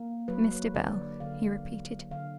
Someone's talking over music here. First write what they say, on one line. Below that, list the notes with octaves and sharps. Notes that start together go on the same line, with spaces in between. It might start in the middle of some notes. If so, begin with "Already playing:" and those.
'Mr. Bell,' he repeated.
Already playing: A#3
F#3 B4
D3 D5
D3 F5
F#3
D3 F5